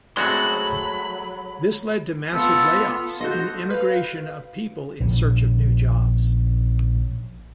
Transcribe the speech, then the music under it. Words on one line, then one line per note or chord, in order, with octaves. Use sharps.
This led to massive layoffs, and emigration of people in search of new jobs.
F#3 G#3 A3 C4 C#4 F#4 B5 C6
B3 F4 A4
F#4 A4 D#5 C6 G6
B4 F5
A#1 C#3